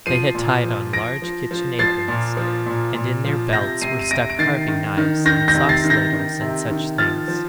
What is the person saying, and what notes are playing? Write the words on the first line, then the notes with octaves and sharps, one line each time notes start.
They had tied on large kitchen aprons, and in their belts were stuck carving knives and sauce ladles and such things.
F3 C7 D#7
A#2
F3
F3 A#6 D7
F3
F3
F3 A6 C7
A#2
F3
A#2
A#2
F3
C3 G6 A#6
C3 C7 D#7
D#7
C3 A#6 D7
D7
D#3 A6 C7
D#3
D#3
D#3 G6 A#6
G6 A#6
C3
A6 C7
D#3
G6 A#6
D#3
C3
D#3
F3 F6 A6
F3